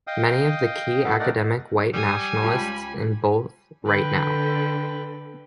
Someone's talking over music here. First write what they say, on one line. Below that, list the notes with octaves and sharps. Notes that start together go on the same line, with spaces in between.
Many of the key academic white nationalists in both Right Now!
D#5 F5 G5 D#6
A3 B3 E4 F#4 A4 F5
A3 D#4 A#4 D5 F#5
G3 G#5 D#6
C#2 F4 G5 A5 B5
D3 A4 B4 G5